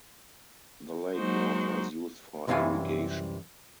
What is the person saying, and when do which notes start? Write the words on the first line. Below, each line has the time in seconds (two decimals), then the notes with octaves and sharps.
The lake water is used for irrigation.
1.15 F#3 G#3 A#3 D#4 F#4 C5
2.47 C2 F#2 C3 E3 F5 G#5